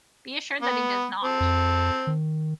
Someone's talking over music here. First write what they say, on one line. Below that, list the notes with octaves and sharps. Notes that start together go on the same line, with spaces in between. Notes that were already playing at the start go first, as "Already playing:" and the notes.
Be assured that he does not!
B3
C4 A5
F2
D#3